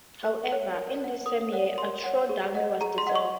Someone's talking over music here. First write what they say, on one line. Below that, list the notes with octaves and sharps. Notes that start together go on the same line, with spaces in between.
However, in this same year, Austro-Daimler was dissolved.
A#4 F#6
C#5 F#5
A#4
C#5 F#5
A#4 D#6
C#5 F#5
A#4 C6
C#5 F#5
G#4
D#5 F#5
G#4 A#5
C6
D#5 F#5
C#6